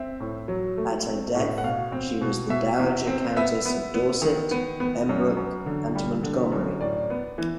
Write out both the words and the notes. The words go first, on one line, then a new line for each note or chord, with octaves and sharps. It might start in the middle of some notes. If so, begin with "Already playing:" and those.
At her death she was the Dowager Countess of Dorset, Pembroke, and Montgomery.
Already playing: C4 E5
A2
F#3
A3
C4
A2
F#5
B2 F5
C4
B2
B2 E5
E2
C4
B3 E5
B3
B3
D#3
B3
B3
F#2
F#2
D3
G3
D3
F#2
A2 D5
B3
E3